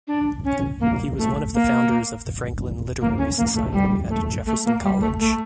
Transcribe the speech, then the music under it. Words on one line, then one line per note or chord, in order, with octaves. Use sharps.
He was one of the founders of the Franklin Literary Society at Jefferson College.
D4
C#4
A#3
A3
A#3
A#3
C#4
A#3
A3
G3
A3
A3
A#3
G3
A3
A3